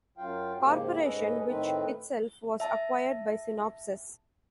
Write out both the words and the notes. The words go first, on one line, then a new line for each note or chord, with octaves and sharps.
Corporation, which itself was acquired by Synopsys.
F#2 F#3 F4 F5 G5
G#2 C#3 F3 A#3 G4
G#2 C#4 A4 B4 D#5
A2 D#3 A3 C4 D#4 B4
E5 A5